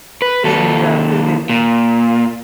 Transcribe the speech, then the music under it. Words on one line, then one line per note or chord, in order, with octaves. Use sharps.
in the food indust
B4
D#2 A4
A#2